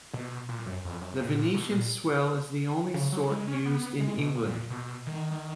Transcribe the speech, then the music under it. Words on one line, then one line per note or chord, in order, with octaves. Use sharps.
The Venetian swell is the only sort used in England.
B2
A#2
F#2
F2
F#2
A#2
B2
A#2
C#3
F#3
G#3
C#4
B3
G#3
B2
A#2
B2
D#3